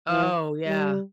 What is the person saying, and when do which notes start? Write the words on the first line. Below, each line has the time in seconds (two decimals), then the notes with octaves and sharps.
Oh, yeah.
0.09 E3
0.66 G3